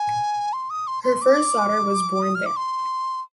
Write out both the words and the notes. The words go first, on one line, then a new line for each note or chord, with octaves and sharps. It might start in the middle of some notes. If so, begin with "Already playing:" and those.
Her first daughter was born there.
Already playing: G#5
C6
D#6
C6
C6
D6
D#6
F6
D6
C6